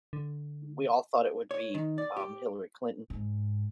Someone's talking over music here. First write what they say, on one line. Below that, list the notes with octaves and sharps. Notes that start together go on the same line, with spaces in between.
we all thought it would be, um, Hillary Clinton.
D3
C#5
D#3
D5
G4
G#2